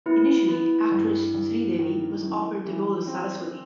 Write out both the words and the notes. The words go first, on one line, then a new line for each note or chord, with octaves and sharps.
Initially, actress Sridevi was offered the role of Saraswati.
B3 E4
B3
G2
G2
D#3
F#2
E3
C4